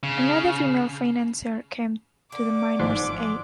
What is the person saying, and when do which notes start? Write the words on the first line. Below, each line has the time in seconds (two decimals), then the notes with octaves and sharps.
Another female financier came to the miners' aid.
0.03 C#3
2.32 D3 A#3 D6
2.79 G#1 G#2 F3 D6